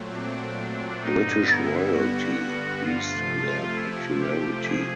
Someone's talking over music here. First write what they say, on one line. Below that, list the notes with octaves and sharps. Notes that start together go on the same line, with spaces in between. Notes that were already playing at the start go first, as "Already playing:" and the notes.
British royalty increased their popularity.
Already playing: A#2 F#3 A3 C4
D4
G2 D3 G3 B3 D#4
E4
F#4
C3 F3 A3 F4
E4
G4
G#4